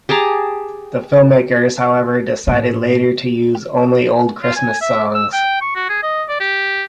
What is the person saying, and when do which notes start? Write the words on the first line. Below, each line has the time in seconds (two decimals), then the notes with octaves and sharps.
The filmmakers however decided later to use only old Christmas songs.
0.09 G4 G#4 A5 A#5
2.47 A2 A#3
4.43 F4
4.56 G#5
4.81 E5
5.15 E6
5.32 G5
5.61 C#6
5.75 F#4
5.89 G#4
6.03 D#5
6.29 D5
6.40 G4